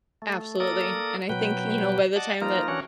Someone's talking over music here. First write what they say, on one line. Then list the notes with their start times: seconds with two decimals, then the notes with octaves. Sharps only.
Absolutely, and I think, you know, by the time that
0.22 A3
0.60 A#3 A4 A#4 D5 D#6
1.29 B2 F#3 B4 G5
2.16 D5 D#5 F#5 A5
2.42 F3 A#3 D#4 F4 A#4
2.68 E3 C#4 D4 F#4 A#4 C#5